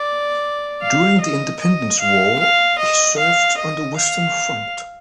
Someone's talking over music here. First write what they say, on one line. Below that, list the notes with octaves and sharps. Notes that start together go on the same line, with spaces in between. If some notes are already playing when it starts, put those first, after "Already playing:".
During the Independence War, he served on the western front.
Already playing: D5
F5
D#5
D#5
F5
F5
D#5
F5
D#5
F5